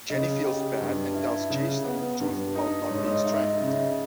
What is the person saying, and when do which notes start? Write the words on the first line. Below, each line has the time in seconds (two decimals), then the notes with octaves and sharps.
Jenny feels bad and tells Jason the truth about not being stranded.
0.10 C#3 D#5
0.45 G4
0.80 G2
1.15 E4
1.50 C#3
1.85 B3
2.20 G2
2.55 D#4
2.90 G#2 C#5
3.07 D#5
3.25 D#4 E5
3.43 D#5
3.60 C#3